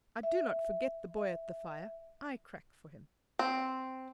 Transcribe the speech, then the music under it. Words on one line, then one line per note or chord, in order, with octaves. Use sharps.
I do not forget the boy at the fire; I crack for him.
E5
E5
C4